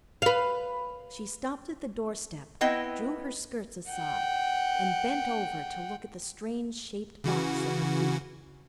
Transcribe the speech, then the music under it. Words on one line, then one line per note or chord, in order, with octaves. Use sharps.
She stopped at the doorstep, drew her skirts aside, and bent over to look at the strange-shaped box at her feet.
B4 F5
B3 C4 E4 D#5 G5
F#5 G5
C#3 E3 F#4